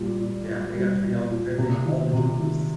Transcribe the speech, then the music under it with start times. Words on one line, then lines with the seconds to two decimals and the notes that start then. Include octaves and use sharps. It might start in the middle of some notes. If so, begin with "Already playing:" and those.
Yeah, they got free healthcare, and they have all the jobs.
Already playing: A#2 G3
0.20 A#2
0.48 A#2
0.76 G3
1.03 A#2
1.31 A#2
1.58 C3
1.85 D#3
2.13 C3
2.40 D#3